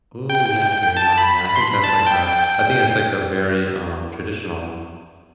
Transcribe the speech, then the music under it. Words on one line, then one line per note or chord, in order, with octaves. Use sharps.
Ooh, yeah. Biryani, yeah, I think that's like, a I think that's, like, a very, um, traditional one.
G5
A5
B5
B5
C6
B5
A5
G5
G5